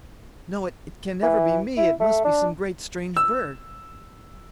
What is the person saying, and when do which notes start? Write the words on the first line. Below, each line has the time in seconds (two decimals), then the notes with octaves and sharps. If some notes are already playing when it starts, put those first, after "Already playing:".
No, it can never be me; it must be some great strange bird.
1.23 E3
1.77 E4
2.00 A3
2.24 D4
3.17 E6